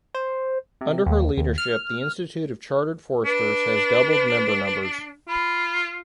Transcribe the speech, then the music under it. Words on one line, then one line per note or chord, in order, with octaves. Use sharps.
Under her leadership the Institute of Chartered Foresters has doubled member numbers.
C5
C3
D#2
D#2
F6
D4 B4
F4 B5